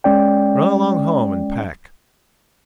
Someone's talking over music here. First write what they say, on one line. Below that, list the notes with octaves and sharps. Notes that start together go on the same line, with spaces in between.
Run along home and pack.
G#3 C#4 D5 G5